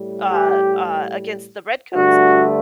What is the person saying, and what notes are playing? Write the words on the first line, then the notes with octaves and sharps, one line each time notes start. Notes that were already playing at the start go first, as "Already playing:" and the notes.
uh, uh, against the redcoats,
Already playing: A2 G3
G4
G2 D3 A3 F#4